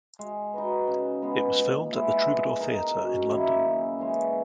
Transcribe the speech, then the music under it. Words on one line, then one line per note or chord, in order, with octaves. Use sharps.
It was filmed at the Troubadour Theatre in London.
G#3
D#4 F#4 B4
C#3
G#3 B3
A#2
G#3 B3 E4
G#3
D#4 A#4
F#2
D#3 A#3 E4
C#3
E3 G#3 C#4